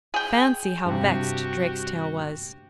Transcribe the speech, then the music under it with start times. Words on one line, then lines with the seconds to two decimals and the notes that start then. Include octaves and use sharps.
Fancy how vexed Drakestail was!
0.14 G#4 G5
0.86 G2 C3 F#4 G4